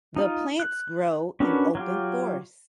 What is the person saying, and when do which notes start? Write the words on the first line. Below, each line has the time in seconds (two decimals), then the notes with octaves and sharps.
The plants grow in open forests.
0.16 D#4 F4
0.60 F#6
1.40 C#4 D4 F#4 A#4 B4
1.75 F#3 F4 G4